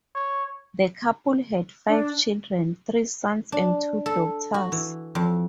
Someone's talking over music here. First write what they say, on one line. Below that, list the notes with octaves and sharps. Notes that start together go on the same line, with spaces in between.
The couple had five children, three sons and two daughters.
C#5
D4
D4
A4
F#4
E3
F2